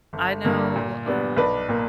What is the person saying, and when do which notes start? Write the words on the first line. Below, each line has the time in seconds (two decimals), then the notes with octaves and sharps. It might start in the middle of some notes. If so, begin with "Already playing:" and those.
I know, um,
0.13 G1
0.44 G2 D3 A#3
0.76 A#2
1.06 G3 B3 D4
1.37 B1 B4 D5
1.69 A#2 A#3